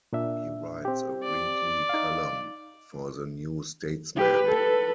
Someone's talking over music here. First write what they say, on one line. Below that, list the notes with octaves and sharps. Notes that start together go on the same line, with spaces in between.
He writes a weekly column for the "New Statesman".
A#2 D4 E5
C4 G4
D5
D#4 F5
G4 B4
A4 B4